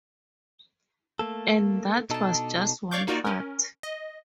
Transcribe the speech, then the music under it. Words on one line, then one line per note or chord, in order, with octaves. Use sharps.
And that was just one fart.
A3 A#3 A4
B2 D4 D#4 A4 A5
C#5 D5 F5 C#6 D6 G6
A#3 D#4 F4 F#4 A#4 D5
C#4 A#4
D#5